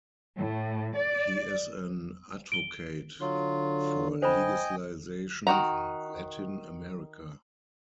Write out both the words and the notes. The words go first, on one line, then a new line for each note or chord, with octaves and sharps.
He is an advocate for legalization in Latin America.
A2
D5
D7 G7
D3 F#3 F4
C5 D#5 G5 G#5 B5
D#3 E3 F#4 A#5